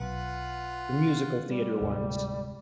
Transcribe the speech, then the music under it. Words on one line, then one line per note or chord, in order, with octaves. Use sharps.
The musical theater ones.
B1 F4 B4 F#5
G3
D1 G#2 C3